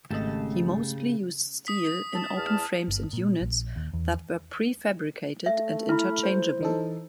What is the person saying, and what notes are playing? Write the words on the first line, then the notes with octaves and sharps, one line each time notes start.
He mostly used steel in open frames and units that were prefabricated and interchangeable.
G#1 C#3 A3 G4 A4 D#5 A5
D#6 B6
A5
E2 A5 F6
G1
A#2
A#1
D#2
E2
A3 E5
E4 B5 F6
C5
E3 D#4 A4